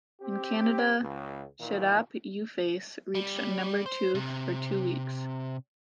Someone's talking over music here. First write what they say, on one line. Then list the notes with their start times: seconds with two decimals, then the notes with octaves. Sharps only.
In Canada, "Shaddap You Face" reached number two for two weeks.
0.20 C4 G4
1.01 C#2
1.59 A#2 D#3 E3
3.15 G3
3.86 C5
4.15 C3